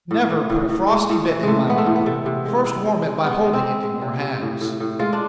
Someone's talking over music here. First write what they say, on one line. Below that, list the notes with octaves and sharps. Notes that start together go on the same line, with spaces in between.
Never put a frosty bit in my mouth; first warm it by holding it in your hands.
A2
A2
A2
A2
G#3
A2
E3
A2 G#3 A3
G#3 B3
A3
A2
B3
C3 A3
C3
G#3
C3
G#3
G#3
G#3 B3
G#3
C4
G#3
G#3
C3
C3
A2
A2
A2
G#3 F4
D4